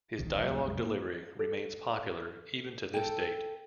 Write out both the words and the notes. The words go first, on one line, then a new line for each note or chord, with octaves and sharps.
His dialogue delivery remains popular even to this date.
D#1 B1 D#3 E3
D2 A#2 F#3
C2 F#2 F#3 G#3
A#3
A4
A4 G5